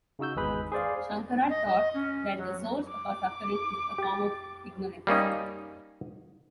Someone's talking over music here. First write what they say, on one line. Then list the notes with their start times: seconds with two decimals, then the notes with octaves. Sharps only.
Shankara taught that the source of our suffering is a form of ignorance.
0.19 C#3 D#4 F#4 E6 G6
0.36 G#1 E2 G#3 G#4 B4 B5
0.72 G#4 C5 D5 F5
1.50 D#5
1.66 D#5
1.94 C#4
2.37 F#3
2.89 D6
3.98 G4 A6
5.07 G3 A#3 C#4 D#4